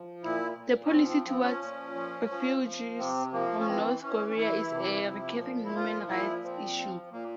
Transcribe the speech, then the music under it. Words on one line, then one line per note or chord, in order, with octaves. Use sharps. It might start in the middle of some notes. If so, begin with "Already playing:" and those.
The policy toward refugees from North Korea is a recurring human rights issue.
Already playing: F3
A#2 E4
A#2
C#4
F3 C4
C4
F3 C4
C#4
A#2
F3
F3
F3
C3 C4
F3 A#3
C#4
E3 C4
E3 C#4
C#4
E3 E4
C3
F3
A#2
E4
F3 F4
A#2 E4
F3 C4
F3
A#2 A#3